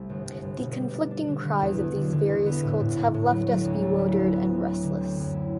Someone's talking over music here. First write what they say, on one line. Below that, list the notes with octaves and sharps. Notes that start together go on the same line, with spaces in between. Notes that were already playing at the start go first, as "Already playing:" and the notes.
The conflicting cries of these various cults have left us bewildered and restless.
Already playing: C2 A3
G1
G1
G1
B2
G3
D4
D4
D3
D3
E2
E2
D3
D3
E2
B3
A2
A2
A2
A2
F#3
F#3
D2
A3
E4
B3
B3
B3
F#3
D3
C4
F#2
E4